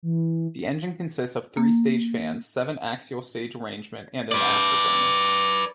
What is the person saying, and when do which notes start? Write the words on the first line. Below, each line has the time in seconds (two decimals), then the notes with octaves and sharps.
The engine consists of three-staged fans, seven axial stage arrangement, and an afterburner.
0.03 E3
1.57 A#3
4.32 B4 D5